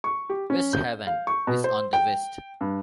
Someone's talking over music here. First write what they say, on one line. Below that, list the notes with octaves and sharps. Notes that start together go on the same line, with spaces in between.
West Haven is on the west.
C#6
G4
C#4
G6
F5
C#6
B2
C5
G5
G2